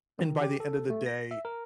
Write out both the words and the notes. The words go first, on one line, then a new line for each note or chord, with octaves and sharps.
And by the end of the day
D#3
G4
A4
A3
A#6
E5
A#4